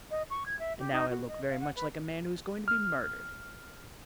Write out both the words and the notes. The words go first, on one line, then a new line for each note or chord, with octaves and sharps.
"And now I look very much like a man who is going to be murdered."
D#5
C#6
G#6
E5
G4
D#4
F#4
D#5
F5
F#5
B4
F6